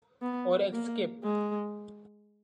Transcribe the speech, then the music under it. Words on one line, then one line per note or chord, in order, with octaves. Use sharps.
Or escape?
B3
A#3
G#3